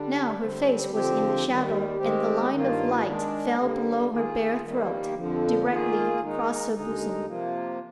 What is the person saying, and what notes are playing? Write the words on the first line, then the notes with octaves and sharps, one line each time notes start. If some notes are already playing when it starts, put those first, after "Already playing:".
Now her face was in the shadow and the line of light fell below her bare throat, directly across her bosom.
Already playing: D3 G3 D4
D3 G3 C4
D3 F3 C4 G4
D#2 D#3 G3
D#3 G#3 C4 G4
G2 D#3 A#3 F4
D#3 G#3 D4
D3 G3 A#3
D#3 A#3 F4 G#4
D#3 G3 A#3
F2 D3 F3
D#3 A#3 F4 G#4
D#3 G#3 D#4
D#2 D3 G#3 D#4
C3 F3 A#3 F4